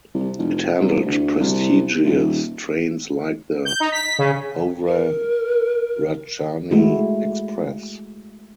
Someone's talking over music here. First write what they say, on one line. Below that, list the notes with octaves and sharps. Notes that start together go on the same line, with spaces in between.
It handled prestigious trains like the Howrah Rajdhani Express.
C2
F1
C2
D2
C2
D#1
G6
D#4
B6
C#3
A#4
G#3 A3 E4 F#4